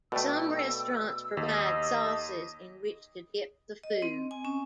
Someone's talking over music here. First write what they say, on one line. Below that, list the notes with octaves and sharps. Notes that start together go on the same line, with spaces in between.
Some restaurants provide sauces in which to dip the food.
B2 A3 A4 D5 G5 E6
D#2 D#5
D#5
C4
G#5
C#4